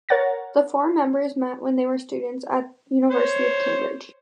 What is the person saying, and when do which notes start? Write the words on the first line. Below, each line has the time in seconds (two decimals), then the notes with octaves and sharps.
The four members met when they were students at University of Cambridge.
0.09 A#4 C#5 F#5 A6 A#6
3.10 C5 C#5